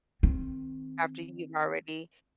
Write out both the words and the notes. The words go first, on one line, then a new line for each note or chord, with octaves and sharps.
After you've already
D#3 C4